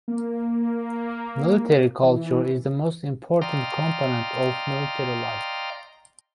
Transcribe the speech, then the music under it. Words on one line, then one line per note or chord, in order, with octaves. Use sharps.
Military culture is the most important component of military life.
A#3
E3
D5 D#5 F5 G5 A#5 C6